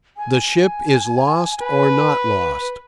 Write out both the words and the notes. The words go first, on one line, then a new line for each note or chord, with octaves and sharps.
The ship is lost or not lost.
G#5
B4